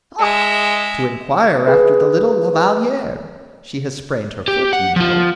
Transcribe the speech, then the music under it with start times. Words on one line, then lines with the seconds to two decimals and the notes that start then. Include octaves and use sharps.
"Ah, to inquire after the little La Valliere; she has sprained her foot, you know."
0.20 G#3 E5
1.67 G#4 B4
4.48 G4
4.73 F#5
4.96 F3 F4